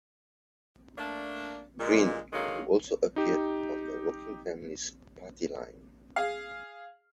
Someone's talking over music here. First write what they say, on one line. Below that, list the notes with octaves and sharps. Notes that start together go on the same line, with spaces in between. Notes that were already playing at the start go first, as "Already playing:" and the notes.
Green, who also appeared on the Working Families Party line.
A3 A#3 D4
A#2 G#3
D3 D#3 F#3 G#3 A#3
D#4 G4
G#4 F5